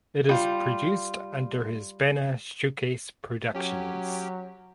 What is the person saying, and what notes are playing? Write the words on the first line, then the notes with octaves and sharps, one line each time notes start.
It is produced under his banner Showcase Productions.
G3 F4
F#3 C#4 G4